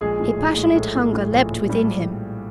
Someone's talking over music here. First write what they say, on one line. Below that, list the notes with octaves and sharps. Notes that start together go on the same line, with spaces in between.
A passionate hunger leapt within him.
A#1 G#3 G#4
A2
A#1
A2 G#3 G#4
A2
A2
A2
A#1
A#1
A2 G3 G4